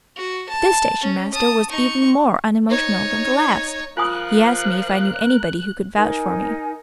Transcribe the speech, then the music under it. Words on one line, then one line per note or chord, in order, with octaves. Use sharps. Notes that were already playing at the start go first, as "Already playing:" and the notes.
This station-master was even more unemotional than the last. He asked me if I knew anybody who could vouch for me.
F#4
A5
C#4
A5 D#6
D#4 C#6
D#4 C#5
F3 F4 A#4 G#5 D#6 F#6
D#4 A#4 G#5